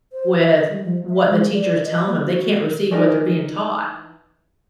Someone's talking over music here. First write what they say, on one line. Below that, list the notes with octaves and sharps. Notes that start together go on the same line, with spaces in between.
with what the teacher is telling 'em, they can't receive what they're being taught.
C5
B4
D#5
G3
F3
E5
G#3
D5
D#5
A#3
F#4
E3 D#4 A#4 D5